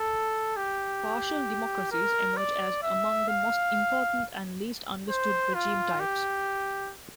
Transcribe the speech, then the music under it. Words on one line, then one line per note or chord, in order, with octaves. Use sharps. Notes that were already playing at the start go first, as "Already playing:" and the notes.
Partial democracies emerge as among the most important and least understood regime types.
Already playing: A4
G4
A#4
D5
E5
F5
C5
F4
G4